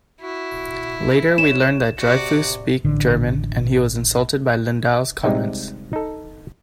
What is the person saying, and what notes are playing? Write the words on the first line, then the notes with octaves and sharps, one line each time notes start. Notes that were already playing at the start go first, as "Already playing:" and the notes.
Later we learn that Dryfoos speaks German, and he was insulted by Lindau's comments.
E4 F#4
C#5 E7
C3 F#4 D5
A1 D3
C3 G3 G#3 D#4 E5 G5
D#4 A4